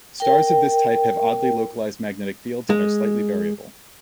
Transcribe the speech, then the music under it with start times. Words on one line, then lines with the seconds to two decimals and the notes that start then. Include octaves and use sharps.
Stars of this type have oddly localised magnetic fields and are slightly variable.
0.20 A#4 G5
2.70 G#3